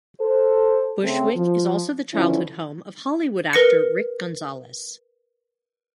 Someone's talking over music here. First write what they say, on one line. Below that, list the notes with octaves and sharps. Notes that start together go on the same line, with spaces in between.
Bushwick is also the childhood home of Hollywood actor Rick Gonzalez.
A4 C5
C#3 A3 C4
F3
D3 E3 F3 C#4 E4
A#4 B4 A#6 C#7